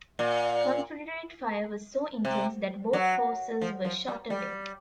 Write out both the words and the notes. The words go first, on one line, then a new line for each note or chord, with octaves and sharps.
Confederate fire was so intense that both hawsers were shot away.
A#2
C3
F#3
F3
F3
G3
G3